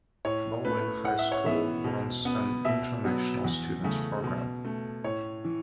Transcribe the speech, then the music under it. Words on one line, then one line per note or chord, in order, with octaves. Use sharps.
Balwyn High School runs an 'International Students Program'.
A2 C#5
A3 B4
A2 F#5
E5
C#5
E3 B3 E5
B2
B3
B2 E5
F#3 B3
E2
C#3 A3
B2
A3
A2 C#5
E3